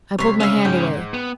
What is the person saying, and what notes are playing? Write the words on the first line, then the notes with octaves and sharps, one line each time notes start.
I pulled my hand away.
C3 G3 C#5 C6 B6
C#3 C#4 E5 F5
G#2 G5
B3